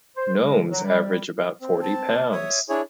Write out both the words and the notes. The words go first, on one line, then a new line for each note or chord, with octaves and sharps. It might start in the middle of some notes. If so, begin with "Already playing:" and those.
Gnomes average about forty pounds.
C5
G#3
F#3
G3
C4
A5
C#5 E5 D#6
D4 E4 G#4 C#5